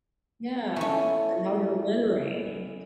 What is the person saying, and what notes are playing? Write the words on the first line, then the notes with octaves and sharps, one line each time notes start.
Yeah, and now you're littering.
A2 E3 A3 C#4